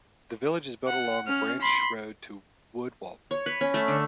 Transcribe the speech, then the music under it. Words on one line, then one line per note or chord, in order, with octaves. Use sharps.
The village is built along a branch road to Wood Walton.
F#5
C#4 F6
B5 C6
C#5
B4
C#4
A3
D3